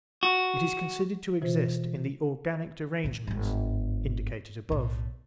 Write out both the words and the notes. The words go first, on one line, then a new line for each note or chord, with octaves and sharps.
It is considered to exist in the organic derangements indicated above.
F#4
B2 E3 F4 C5
A2 D#3
G1 G#2
B1 A2